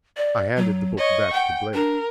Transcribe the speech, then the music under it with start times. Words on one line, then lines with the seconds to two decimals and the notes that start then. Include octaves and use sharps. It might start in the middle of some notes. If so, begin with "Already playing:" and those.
I handed the book back to Blake.
0.17 D5
0.56 F#3
0.98 C#5 D#5 C#6
1.34 F#5 G5
1.74 D4 A#4